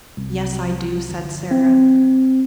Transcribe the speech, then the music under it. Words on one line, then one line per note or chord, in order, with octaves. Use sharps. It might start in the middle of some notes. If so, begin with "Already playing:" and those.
"Yes, I do," said Sara.
C2
G1
C4